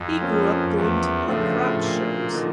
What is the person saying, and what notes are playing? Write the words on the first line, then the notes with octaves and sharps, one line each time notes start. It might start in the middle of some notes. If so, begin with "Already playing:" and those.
He grew up going to punk rock shows.
Already playing: F2
F3 A#3 C#4
E2
A2 C#3 F3 A3 D4 F4
A#2
D3 F3 A#3 D#4